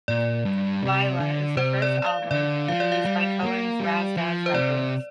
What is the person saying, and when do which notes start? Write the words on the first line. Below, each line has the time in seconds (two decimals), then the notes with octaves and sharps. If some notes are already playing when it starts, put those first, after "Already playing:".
"Lyla" is the first album released by Cohen's Razdaz Recordz.
0.08 A#2 D5
0.45 G2
0.83 C3
1.20 D3
1.57 C3 C5
1.82 D5
2.06 F5
2.31 D3 D5
2.68 F3 F5
2.80 D5
2.92 F5
3.05 G3 F5
3.43 A#3
3.80 G3
4.17 F3
4.46 C5
4.54 C3 D5